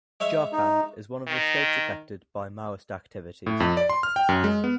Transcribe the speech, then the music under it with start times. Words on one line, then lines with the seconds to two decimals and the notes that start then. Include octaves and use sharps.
Jharkhand is one of the states affected by Maoist activities.
0.20 G#3 C#5 E5
0.53 D#4
1.28 D#3
3.46 A2
3.60 F2
3.77 D5
3.90 C6
4.03 F6
4.16 G5
4.29 F#2
4.44 G#3
4.64 B3